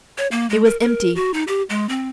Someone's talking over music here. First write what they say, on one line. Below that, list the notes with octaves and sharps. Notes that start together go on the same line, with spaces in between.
It was empty.
C#5
A#3
G#3
A#4
A#4
F#4
D#4
G4
G#3
C4